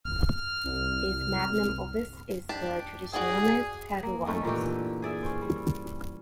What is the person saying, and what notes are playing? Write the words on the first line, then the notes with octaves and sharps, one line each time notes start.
His magnum opus is the "Tradiciones peruanas".
F6
C2
D4 G4 A5
F#4 G#4 D5 G5
A#3
D#3 A3 C#4 A4
A#2 D3 E3 G4
G#4 D5 E5
C#4 C5
G3